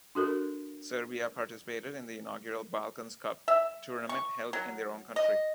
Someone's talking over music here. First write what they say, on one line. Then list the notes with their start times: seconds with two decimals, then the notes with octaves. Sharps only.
Serbia participated in the inaugural Balkans Cup tournament held in their own country.
0.15 D4 F#4 A4 A#4
3.48 E5
4.09 C#6
4.53 F#3
5.16 D#5